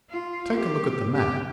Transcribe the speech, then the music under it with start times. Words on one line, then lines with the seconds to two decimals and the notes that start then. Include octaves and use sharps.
Take a look at the map!
0.10 F4
0.54 G4
1.14 G4